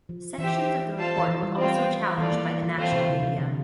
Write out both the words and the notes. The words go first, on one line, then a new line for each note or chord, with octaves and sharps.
Sections of the report were also challenged by the national media.
F3
E3 G4 C5 E5
F4 A4 C5 F5 A5
E3
F3
G3
C4 F4 C5 G5
E3 F4 A4 D5
A#3
F3
E3 A3 C4 F4 C5
C3
D3
C3
D3